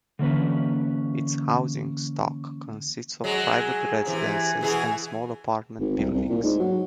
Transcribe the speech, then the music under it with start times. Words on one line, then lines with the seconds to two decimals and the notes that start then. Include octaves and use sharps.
Its housing stock consists of private residences and small apartment buildings.
0.19 D3 E3 A#3 C#4 B4
3.24 F#3 G#3
4.05 C3 E3
4.61 B2 E3 G#4
5.80 G#1
5.97 C2
6.14 C2
6.29 A#2
6.43 G#2
6.59 F#3